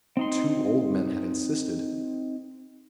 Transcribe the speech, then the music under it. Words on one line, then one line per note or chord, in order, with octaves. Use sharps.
The two old men had insisted.
C4 D#4 C6